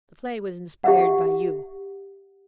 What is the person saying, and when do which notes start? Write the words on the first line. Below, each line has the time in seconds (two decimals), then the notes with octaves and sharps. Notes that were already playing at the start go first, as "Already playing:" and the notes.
The play was inspired by you.
0.84 G4 E5 F#5